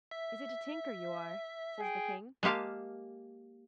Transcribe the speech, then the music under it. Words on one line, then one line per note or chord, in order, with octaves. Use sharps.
"Is it a tinker you are?" says the king.
E5
G#4 G5
G#3 A#3 G4 F5 A5